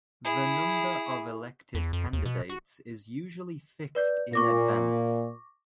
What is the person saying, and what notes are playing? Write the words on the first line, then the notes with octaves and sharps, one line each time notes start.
The number of elected candidates is usually fixed in advance.
E4 G#4
E2
F2
D#2
B2
F#4
B4 D5 G6
A#2 C#6 D6 A#6